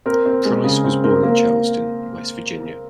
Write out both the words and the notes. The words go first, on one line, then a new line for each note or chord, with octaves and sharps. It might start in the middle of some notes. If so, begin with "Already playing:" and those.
Price was born in Charleston, West Virginia.
C4 A#4
C4
G#3
C#3 G#4
C4
C4 A#4
A#3 A#4